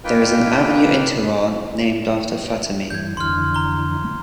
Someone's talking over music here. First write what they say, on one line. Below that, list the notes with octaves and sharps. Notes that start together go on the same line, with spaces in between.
There is an avenue in Tehran named after Fatemi.
A#3 D#4 F4 B4 G5
G2 E3 G6 G#6
F2 D3 E3 C6 F6
A#5 G7